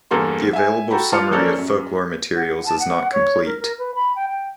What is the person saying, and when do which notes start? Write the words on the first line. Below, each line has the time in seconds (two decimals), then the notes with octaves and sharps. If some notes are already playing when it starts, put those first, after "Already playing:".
The available summary of folklore materials is not complete.
0.11 E2 G2 A#3 A4 A#5 C6
0.53 E5 G#5
0.91 F#4 A4 G5 A#5 B5
1.12 F4 A5 F6 C#7
1.31 F3 A#3 C#4 A4 A#4 D5
1.58 F#2
2.36 F#5
2.66 A5
2.80 F#5
3.12 C#5
3.45 A#4
3.60 A#4
3.78 B4
3.95 B5
4.16 G5
4.28 G5